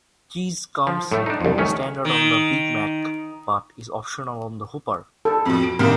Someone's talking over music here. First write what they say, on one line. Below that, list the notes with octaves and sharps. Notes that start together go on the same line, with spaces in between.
Cheese comes standard on the Big Mac, but is optional on the Whopper.
F3
A2 A3
D4 D#4
C2 F2
D#3 A3 C#4
D#3
A4
F2 B2
D7
C2 G2 D#3 A#3